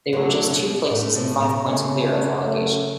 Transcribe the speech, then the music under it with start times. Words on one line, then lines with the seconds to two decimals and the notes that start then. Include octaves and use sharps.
They were just two places and five points clear of relegation.
0.13 D3 F#3 A3
0.51 B2
0.90 A2 A3 C#4
1.15 A2
1.40 B2
1.66 C#3 A3 C#4
2.05 A3 C#4
2.42 F#3 A3